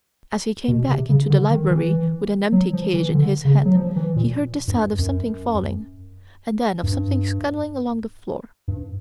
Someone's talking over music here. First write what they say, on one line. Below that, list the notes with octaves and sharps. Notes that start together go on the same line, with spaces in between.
As he came back into the library with an empty cage in his hand he heard the sound of something falling, and then of something scuttling along the floor.
B2
C3
C#3
D3
D#3
E3
F#3
F3
E3
D3
C#3
F#3
F3
E3
A#2
G2
F#2
G2
G2